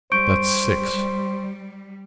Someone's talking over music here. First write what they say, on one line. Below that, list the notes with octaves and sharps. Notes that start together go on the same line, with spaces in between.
That's six.
G3 C5 C#6 G6 D7